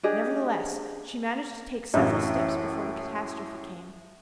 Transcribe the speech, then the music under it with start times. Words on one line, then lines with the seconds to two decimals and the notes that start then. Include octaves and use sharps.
Nevertheless, she managed to take several steps before the catastrophe came.
0.03 D4 G4 G#4 D#5
1.94 A1 F#2 A2